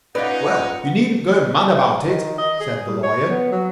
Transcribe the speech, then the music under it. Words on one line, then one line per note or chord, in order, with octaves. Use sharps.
"Well, you needn't get mad about it," said the Lawyer.
C#4 D#4 F4 B4 D5 F#5
D#3
D#5
G#4
G3
C#5
B3
F#3